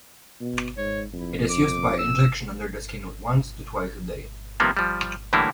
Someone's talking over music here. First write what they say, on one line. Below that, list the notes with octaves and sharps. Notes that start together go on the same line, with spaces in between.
It is used by injection under the skin once to twice a day.
B2
G#2 C#5
F2 E4
D6
E6
C3 D#3 F3 G3 A#3 B3
F3 G3
A2 D3 E3 G3 A#3 E4